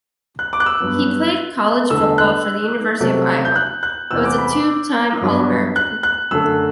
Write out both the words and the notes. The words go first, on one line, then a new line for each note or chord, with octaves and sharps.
He played college football for the University of Iowa, and was a two-time All-American.
F#6
D6
F#6
E6
G2 F#3 B3
E2 D3 A3 E6
F#6
C3 F#3 A3
G6
F#6
F#6
E2 C3 E3 E6
D6
B5
D6
G2 F#3 B3
F#6
F#6
F#2 D3 A3 E6